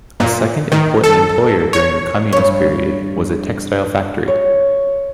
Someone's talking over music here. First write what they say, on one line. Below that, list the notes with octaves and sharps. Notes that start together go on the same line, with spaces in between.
A second important employer during the Communist period was a textile factory.
A#2
D#3
A4
C#5
G2 C#5
C#5